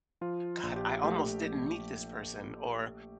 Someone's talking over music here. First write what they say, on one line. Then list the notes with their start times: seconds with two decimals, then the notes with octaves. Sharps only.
"God, I almost didn't meet this person," or,
0.21 F3 F4
0.63 A#1
0.76 G4
1.04 A3 G4
1.45 A#1